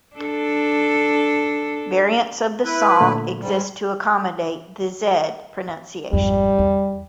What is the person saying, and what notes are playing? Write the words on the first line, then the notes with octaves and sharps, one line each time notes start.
Variants of the song exist to accommodate the "zed" pronunciation.
D4 A4
E4 B4
A#2 D3 A3
G#2 G3
G#1 F2 G3
E2